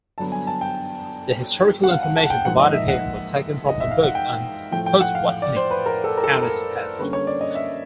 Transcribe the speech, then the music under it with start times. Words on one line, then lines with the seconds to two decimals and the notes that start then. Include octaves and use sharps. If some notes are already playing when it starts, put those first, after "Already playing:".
The historical information provided here was taken from a book on Pottawattamie County's past.
0.18 G2 D3 F#3 B3 A5
0.32 G#5
0.47 A5
0.61 G5
1.84 F#5
1.89 F5
2.03 F#5
2.16 A5
2.26 F#5
2.30 G5
2.45 G#2 F3 A#3 F#5
2.59 D#5
2.73 E5
2.88 F#5
3.69 D#5
3.80 E5
3.91 F5
4.03 F#5
4.15 G5
4.71 A2 F3 A3 G5
4.86 G5
5.01 F#5
5.15 F5
5.42 D5
5.56 C5
5.71 B4
5.86 A#4
6.04 A4
6.17 A#4
6.24 A4
6.42 A#4
6.99 D3 G3 A#3 C#4 B4
7.13 C#5
7.27 D5
7.41 D#5
7.55 E5